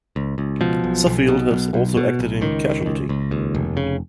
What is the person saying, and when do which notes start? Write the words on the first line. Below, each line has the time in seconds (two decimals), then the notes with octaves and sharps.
Suffield has also acted in "Casualty".
0.16 C#2
0.38 C#2
0.61 B2 F3
0.84 B1
1.06 B1
1.28 B2
1.51 B1
1.74 B1
1.97 B2
2.19 B1
2.41 C#2 D#3
2.65 C#2
2.86 C#2
3.09 C#2
3.31 D#2
3.55 F1
3.77 C#3